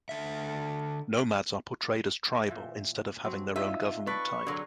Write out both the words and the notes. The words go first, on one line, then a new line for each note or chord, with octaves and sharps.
Nomads are portrayed as tribal instead of having their own government type.
D3 E5
A#2 E3 E5
F#3 C4
D#4 F4 E5
A4 B4 D5 C#6
D3 F#3 G#4 A#4 F5